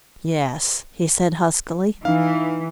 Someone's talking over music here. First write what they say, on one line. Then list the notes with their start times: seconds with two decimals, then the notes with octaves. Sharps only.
"Yes," he said huskily.
2.05 E3 D#4 F5